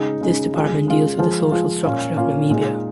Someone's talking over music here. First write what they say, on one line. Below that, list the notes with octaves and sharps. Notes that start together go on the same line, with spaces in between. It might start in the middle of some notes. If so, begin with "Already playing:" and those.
This department deals with the social structure of Namibia.
Already playing: C#3 G#3 D#4
C#3 G#3 D#4
C#3 G#3 F4
C#3 G#3 F4
F3 G#3 F4
F3 G#3 F4
A#2 A#3 C#4 F4
A#2 A#3 C#4 F4
A#2 G#3 D#4